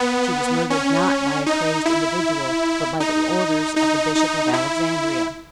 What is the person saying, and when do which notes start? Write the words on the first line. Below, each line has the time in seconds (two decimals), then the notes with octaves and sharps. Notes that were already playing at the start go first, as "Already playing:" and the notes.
She was murdered not by a crazed individual but by the orders of the bishop of Alexandria.
Already playing: B3
0.70 C#4
1.46 D#4
1.86 E4
3.00 D#4
3.76 D#4
4.15 D#4
4.53 E4